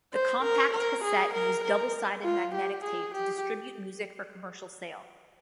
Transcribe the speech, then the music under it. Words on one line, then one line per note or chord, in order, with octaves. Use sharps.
The compact cassette used double-sided magnetic tape to distribute music for commercial sale.
C5
A#4
A#4
G#4
A#4
A#4
F4
G4
G#4
G4